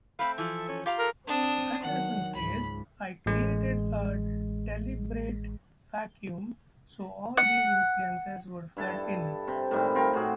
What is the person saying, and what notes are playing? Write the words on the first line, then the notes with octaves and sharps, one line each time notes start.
Anderson says, I created a deliberate vacuum so all these influences would flood in.
A3 C4 F5 B5
E3 F3 A4 E5
C#4
F4 G4 F5 A#5
A4 A#4
C4 D4 D#6
D#3 F#3 F#5
C#2 G#2 B5
A1 G#3
F#5
G2 E4 A4 A5
C3
A2 D#3 G3 G#3
C4 F4 A#4
A2 F#4 G#4